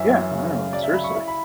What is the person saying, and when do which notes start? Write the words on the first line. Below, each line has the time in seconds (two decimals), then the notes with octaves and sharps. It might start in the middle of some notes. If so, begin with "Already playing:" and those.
Yeah, I know, seriously.
Already playing: F#2 E3 E5
0.10 F#2
0.30 C#3
0.52 C#3
0.72 F#3 D5
0.82 E5
0.93 F#3 B5
1.04 C#6
1.14 E4 B5
1.28 B5